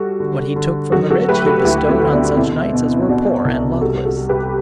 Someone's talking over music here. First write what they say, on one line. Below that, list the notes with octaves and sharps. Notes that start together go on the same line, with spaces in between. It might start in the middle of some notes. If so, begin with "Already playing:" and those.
What he took from the rich he bestowed on such knights as were poor and luckless.
Already playing: G3 F#4 A4
D3
D3
F#3 F#4 A4
F#4 A4
A3 G4 B4
F#4 A4
D2 E4 G4
C4 E4
D3
B3 D4
B2 C4 E4
B2
B2 D4 F#4
C2
G3 F#4 A4
F#4 A4
G3
G4 B4